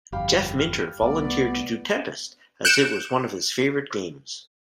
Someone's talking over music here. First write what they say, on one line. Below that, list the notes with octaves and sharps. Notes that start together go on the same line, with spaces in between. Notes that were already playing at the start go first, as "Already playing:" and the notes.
Jeff Minter volunteered to do "Tempest" as it was one of his favorite games.
G1 F2 G4 F5 B5
F6
C2 A3 B3 D5
F#6 G6 C#7 D7 E7